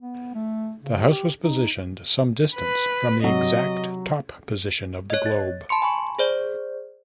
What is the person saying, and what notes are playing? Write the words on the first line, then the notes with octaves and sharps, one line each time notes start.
The house was positioned some distance from the exact top position of the Globe.
B3
A3
C#3
G4
D#4
B4
C3 F#3 F#4 D#5
C#5 D#5
A6
A5 B5 C6 C#7
G#5 B5 C#6
G#4 C5 D5